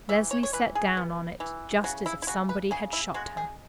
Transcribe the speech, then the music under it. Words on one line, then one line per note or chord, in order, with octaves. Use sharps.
Leslie sat down on it just as if somebody had shot her.
E3 E5
C#5
C#5
E3 B4
G#4
B3
E3
C#3 F#4
E4
E4
C#3 F#4
B4
C#3 G#4
E4
G#3 F#4
G#4